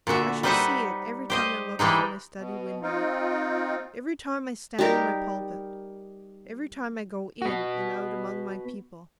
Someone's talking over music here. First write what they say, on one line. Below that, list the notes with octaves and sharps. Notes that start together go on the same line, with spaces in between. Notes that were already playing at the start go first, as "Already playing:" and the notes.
I shall see it every time I look from my study window--every time I stand in my pulpit--every time I go in and out among my people.
A#2 D3 F#4 E5
G3 D#4 B4 C5 E5 F#5
G4 C5 D#5
E3 G3 G#3 D#4
B2
C4 D#4 F4
G3 D#4 G4 A#4
B3 F#4